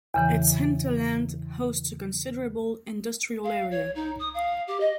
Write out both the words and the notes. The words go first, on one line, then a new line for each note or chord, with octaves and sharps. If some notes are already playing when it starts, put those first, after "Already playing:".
Its hinterland hosts a considerable industrial area.
E2 C#3 E3
F5
C#5
D#4
D#6
F5
G4
D#5